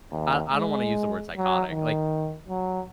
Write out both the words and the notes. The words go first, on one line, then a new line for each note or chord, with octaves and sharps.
I I don't wanna use the word psychotic, like
D#2
G#3
F#3
D#3
F#3